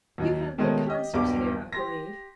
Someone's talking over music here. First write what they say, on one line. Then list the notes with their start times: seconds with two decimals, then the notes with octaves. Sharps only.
'You have good concerts here, I believe.'
0.18 D#2 F#3 D#5
0.58 B2 D#3 G#3 A3 C#4
0.86 G4 D#5
1.13 D#1 B1 G2 B2 G4 D6
1.73 G4 C6 A#6